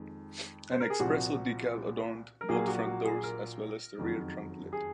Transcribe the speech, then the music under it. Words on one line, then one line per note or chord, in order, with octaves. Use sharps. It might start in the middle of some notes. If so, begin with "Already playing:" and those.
An Expresso decal adorned both front doors, as well as the rear trunk lid.
Already playing: F2 D#3 G#3
C5
A#4
G#4
C2 A#2 F3 F#4
A#4
A#1 A#2 F#3 A#3 G#4
F#4
F#4
G#4
A#4
F#1 F2 D#3 F#3
G#4